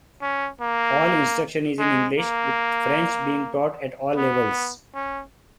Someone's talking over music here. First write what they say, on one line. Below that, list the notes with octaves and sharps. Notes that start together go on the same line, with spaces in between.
All instruction is in English, with French being taught at all levels.
C#4
A#3
G#3
A#3
B3
C#4